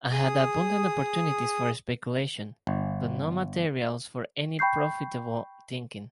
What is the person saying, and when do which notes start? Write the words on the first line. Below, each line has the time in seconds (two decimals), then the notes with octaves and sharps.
I had abundant opportunities for speculation, but no materials for any profitable thinking.
0.12 G#4 D#6
2.67 G1
4.59 G5 B5 C#6 G6 C7